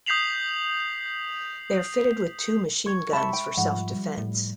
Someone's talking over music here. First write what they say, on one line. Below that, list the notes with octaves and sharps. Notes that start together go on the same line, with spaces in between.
They are fitted with two machine guns for self-defence.
D#6 G6 B6 C7 F7 F#7
C#6 G#6
G#3 G4 E5 A5 B5 C#6
G5
G#2 F3 G3 F#5
G3
A2